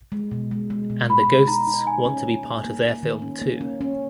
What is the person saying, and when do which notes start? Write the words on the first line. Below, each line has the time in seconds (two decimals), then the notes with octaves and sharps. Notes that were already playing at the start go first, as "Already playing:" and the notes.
And the ghosts want to be part of their film too.
0.12 G#3
0.31 B2
0.51 G#3
0.70 G#3
0.90 B2
1.09 G#3 B5
1.28 B2
1.48 D#4 A#5
1.67 D#4
1.86 D#3 G#5
2.05 C#4
2.25 D#3
2.44 A#3
2.64 A#3
2.84 A#3
3.03 D#3
3.22 C#4
3.41 A#3
3.61 C#4
3.81 C#4